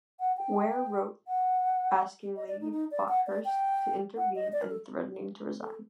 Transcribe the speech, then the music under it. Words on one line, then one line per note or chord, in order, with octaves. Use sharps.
Ware wrote asking Lady Bathurst to intervene and threatening to resign.
F#5
G5
F#5
D#5
D5
D#4
D#4
D5
F#5
D5
G5
F#5
D#5
D5
A#4
A4
A4